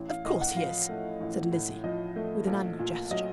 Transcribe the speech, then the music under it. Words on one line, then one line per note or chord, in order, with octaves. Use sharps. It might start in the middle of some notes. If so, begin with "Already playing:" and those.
"Of course he is," said Lizzie, with an angry gesture.
Already playing: A1
F5
A2 D#5
F#5
F3 F5
A3
A1
A2
F3 D#5
A3
A#1
A#2
F#3 D#5